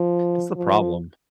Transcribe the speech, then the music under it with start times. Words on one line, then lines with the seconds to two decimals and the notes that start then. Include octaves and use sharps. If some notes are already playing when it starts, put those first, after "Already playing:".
That's the problem.
Already playing: F3
0.56 F3